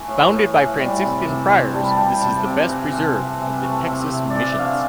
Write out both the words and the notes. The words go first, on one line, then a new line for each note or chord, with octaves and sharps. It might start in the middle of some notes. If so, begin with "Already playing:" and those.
Founded by Franciscan friars, this is the best preserved of the Texas missions.
Already playing: E3 A3
A2
A2
E3
G3
C3
C3
C3
G3 A5
B5
A5
G3 G5
C3 A5
C3 G5
E3
C3
E3
C3
A3
C3
C3
E3 D5
E5
D3 F5